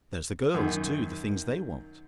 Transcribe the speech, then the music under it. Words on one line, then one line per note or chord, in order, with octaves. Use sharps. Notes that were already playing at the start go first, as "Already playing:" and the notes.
There's the girls, too--the things they want!
F#2 D#3